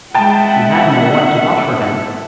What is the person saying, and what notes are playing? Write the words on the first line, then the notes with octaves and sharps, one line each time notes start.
He had no one to wash for him.
G#3 E5 F#5 G5 A5
A4